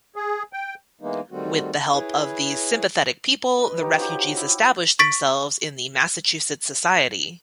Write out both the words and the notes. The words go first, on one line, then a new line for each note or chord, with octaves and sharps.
With the help of these sympathetic people, the refugees established themselves in Massachusetts society.
G#4
G5
E3 G#3 A#3 B3 D#4
D#3 G3 A3 C4 F#4
E4 G#4 B4 C#5
B4 D#5
D#4 G4 C#5
F3 F#3 G4
E4
C#6 A6 B6 D7